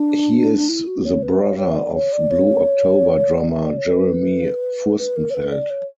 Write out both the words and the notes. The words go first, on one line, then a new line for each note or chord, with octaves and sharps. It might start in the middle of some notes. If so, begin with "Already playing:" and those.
He is the brother of Blue October drummer Jeremy Furstenfeld.
Already playing: D4
E4
F#4
C#5
B4
C#5
C#5
E5
D5
C#5
D5
C#5
D5
E5
D5
C#5
B4
B4
A#4
C#5
B4
D5
C#5